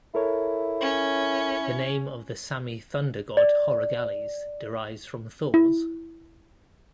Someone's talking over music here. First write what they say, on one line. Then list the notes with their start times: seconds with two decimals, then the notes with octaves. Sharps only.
The name of the Sami thunder god Horagalles derives from Thor's.
0.15 E4 A4 A#4 C#5
0.81 C#4
3.37 D5
5.54 E4